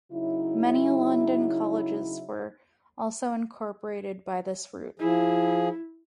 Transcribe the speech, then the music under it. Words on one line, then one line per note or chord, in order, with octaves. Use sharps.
Many London colleges were also incorporated by this route.
C#3 F#3 D#4 E4
F3 E4 G#4